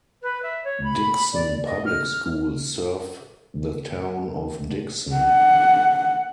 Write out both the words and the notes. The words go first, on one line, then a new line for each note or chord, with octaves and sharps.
Dickson public schools serve the town of Dickson.
B4
E5
C#5
B5
D5
D#5
F6
F#5